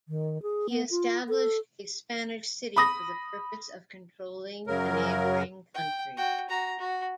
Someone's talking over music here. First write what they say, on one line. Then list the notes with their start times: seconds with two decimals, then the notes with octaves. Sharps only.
He established a Spanish city for the purpose of controlling the neighboring country.
0.09 D#3
0.43 G#4
0.69 B3
0.91 F4
1.29 A4
2.76 B5 D#6 A#6
4.67 F#2 C#3 F#3 A#4
5.74 G5
6.17 F#4 G5
6.50 F#4 A#5
6.79 F#4